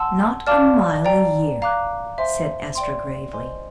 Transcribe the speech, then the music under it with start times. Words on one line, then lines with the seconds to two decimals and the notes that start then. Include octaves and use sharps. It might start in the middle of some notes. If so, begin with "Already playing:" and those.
"Not a mile a year," said Estra gravely.
Already playing: F#5 A5 C6 E6
0.47 D5 F5 A5 D6 F6
1.05 D5 G5 A#5
1.62 F5 A#5 D6 F#6
2.18 C5 E5 G#5 C6
2.75 D5 G5 C6
3.33 C5 D#5 G#5 C6